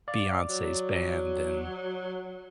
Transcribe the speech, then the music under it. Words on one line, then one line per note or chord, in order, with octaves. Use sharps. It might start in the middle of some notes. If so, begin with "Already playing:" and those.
Beyonce's band and
D5 F5
F#3